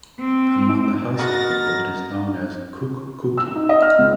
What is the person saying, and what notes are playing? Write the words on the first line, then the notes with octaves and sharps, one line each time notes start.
Among the Hausa people it is known as Kukkuki.
C4
F#4 A#4 D#5 B5 A6 A#6
E6
D#4
D#5
F6
C#2